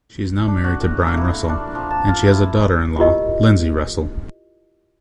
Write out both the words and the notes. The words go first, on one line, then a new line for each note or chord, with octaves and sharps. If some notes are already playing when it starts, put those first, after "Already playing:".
She is now married to Brian Russell,and she has a daughter-in-law,Lindsay Russell.
D4
F#4
A2
A#3
E4
C#6
D4
F3
A5
F4
E4
C#5
E4 F4 G4 A#4 D#5